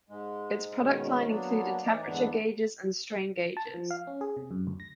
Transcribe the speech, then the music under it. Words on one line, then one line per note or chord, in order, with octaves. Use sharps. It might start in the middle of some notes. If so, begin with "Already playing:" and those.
Its product line included temperature gauges and strain gauges.
G#2 G#3
G#2 B2 D#3 C#4
F#3 A#3 B3 D4
A2 E3 D#4 D5
E2 G#2 D3 E3 B3 D4
A5
F3
F5
C#4
G#4
C3
F#2
D2
A#6